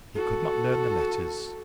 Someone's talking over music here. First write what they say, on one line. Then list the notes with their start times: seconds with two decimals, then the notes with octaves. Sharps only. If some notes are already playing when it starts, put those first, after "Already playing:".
He could not learn the letters.
0.16 F#4 A4